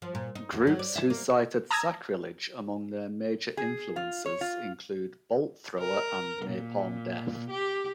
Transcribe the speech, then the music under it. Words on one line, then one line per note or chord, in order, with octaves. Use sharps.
Groups who cited Sacrilege among their major influences include Bolt Thrower and Napalm Death.
F3
A#2
D#4
E2
F#3
D5
E5
A#3
A5 A#5 D#6 E6 G#6 A#6
G#4
F4
C#5
F4
A#4
A#2
G4